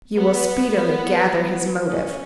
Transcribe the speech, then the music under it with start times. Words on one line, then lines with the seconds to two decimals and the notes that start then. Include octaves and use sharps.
You will speedily gather his motive.
0.16 B3
1.84 C#4